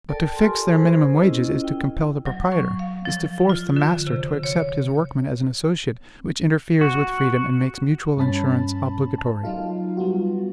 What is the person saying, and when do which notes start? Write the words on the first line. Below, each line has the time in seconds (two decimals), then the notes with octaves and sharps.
But to fix their minimum wages is to compel the proprietor, is to force the master to accept his workman as an associate, which interferes with freedom and makes mutual insurance obligatory.
0.09 A4 A#4 D5 G5 A5
0.36 F4 G4 A4 G#5 C6
0.69 G#4 A#4 C5
1.16 C#4 E4 F4 D#5 E6
1.64 G5
2.26 F#3
2.52 C#6
2.79 F5
3.05 F3
3.49 F4
3.76 D3
4.07 C3
4.43 C#5
6.81 F#4
8.17 G2 C#4 A5 B5 A6
9.18 A5
9.44 F#3 D#4 F4 F5
9.97 G3 B3 F4 F#4